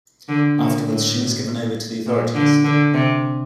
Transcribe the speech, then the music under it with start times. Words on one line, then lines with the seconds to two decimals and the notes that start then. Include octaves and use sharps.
Afterwards she was given over to the authorities.
0.29 D3
0.58 A#2
0.89 A2
2.06 A#2
2.35 D3
2.64 D3
2.94 C3